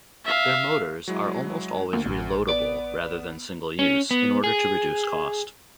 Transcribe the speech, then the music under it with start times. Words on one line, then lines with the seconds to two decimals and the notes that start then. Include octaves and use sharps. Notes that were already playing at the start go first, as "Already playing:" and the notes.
Their motors are almost always reloadable rather than single-use, in order to reduce cost.
0.25 E5 F5
1.08 F#3 G#3 E4
1.93 D2 A#3
2.06 A1
2.49 B3 D5 D7
3.79 C#4
4.11 B3
4.44 G#4